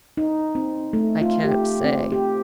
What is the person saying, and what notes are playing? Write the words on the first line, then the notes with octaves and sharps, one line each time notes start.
"I can't say."
D#4
C4
A3
F4
G4
C4
G4